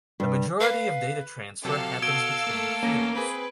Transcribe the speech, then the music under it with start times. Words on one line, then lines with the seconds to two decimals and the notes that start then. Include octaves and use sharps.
The majority of data transfer happens between peers.
0.20 G2
0.61 B4 F5
1.65 C3 F#3 G4 A4 F5
2.02 B2 E6 G#6 D7 G7
2.47 A3 A#3
2.83 E2 A3 A#3 C#4
3.15 C4 G#4 B4